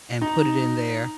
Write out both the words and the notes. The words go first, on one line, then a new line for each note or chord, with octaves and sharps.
and put it in there.
D#4